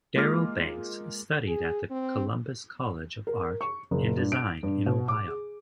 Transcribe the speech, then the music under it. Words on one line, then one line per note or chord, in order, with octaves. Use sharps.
Darryl Banks studied at the Columbus College of Art and Design in Ohio.
G#3 A#3 F4 D6 F6
G#4
C4
A#4
C#6
F#1
G2
D7
G2
B2
D6
G#4